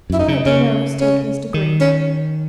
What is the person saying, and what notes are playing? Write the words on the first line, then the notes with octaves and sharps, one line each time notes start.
Fred, you know, has taken his degree.
F#2 E4
D#4
C#3
C#3 C#4
C#4
D#3
C#4